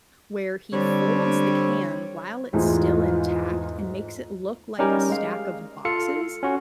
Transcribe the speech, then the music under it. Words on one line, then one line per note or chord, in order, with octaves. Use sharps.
where he folds the can while it's still intact and makes it look like a stack of boxes,
D3 G3 C4 C#5
E2 G#2 E3 G#3 A3 F4
G3 C#4 D#4 G4 A#4
G#3 F5
F4 A4 F5 C#7
C#4 F#4